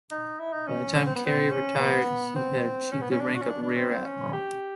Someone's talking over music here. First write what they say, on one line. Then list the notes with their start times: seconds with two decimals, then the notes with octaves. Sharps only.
By the time Cary retired he had achieved the rank of Rear Admiral.
0.11 D#4
0.40 E4
0.53 D#4
0.67 C#4
0.95 C#4
1.06 C4
1.15 B3
1.26 C4
1.52 C#4
1.80 B3
2.36 C4
2.92 C#4
3.01 B3
3.11 C#4
3.20 D4
3.35 F#4
3.41 C#4
3.49 D4
3.62 D4
3.77 C4
3.90 C4
4.05 C#4
4.33 G4